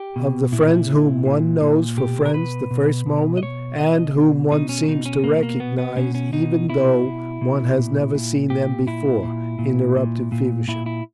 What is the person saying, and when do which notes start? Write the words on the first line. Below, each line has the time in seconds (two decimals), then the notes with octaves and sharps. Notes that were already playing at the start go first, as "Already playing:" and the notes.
"Of the friends whom one knows for friends the first moment, and whom one seems to recognise even though one has never seen them before," interrupted Feversham.
Already playing: G4
0.16 B2
0.52 A#2 E4
0.89 A#2
1.25 A#2
1.61 A#2
1.97 B2 G4
2.26 A#4
2.34 B2 B4
2.71 B2
3.06 B2
3.37 D#5
3.42 B2 C#5
3.78 B2 D#5
4.15 B2
4.51 B2 D#4
4.69 C#4
4.88 B2 D#4
5.06 C#4
5.24 B2 A#3
5.43 A#3
5.60 B2 B3
5.78 B3
5.96 B2 C#4
6.15 C#4
6.33 B2 D#4
6.69 B2 E4
7.05 B2
7.41 B2
7.78 A#2
8.14 A#2
8.50 A#2 G4
8.87 A#2 E4
9.23 A#2
9.59 A#2
9.96 A#2
10.32 A#2
10.68 A#2 E4
10.86 E4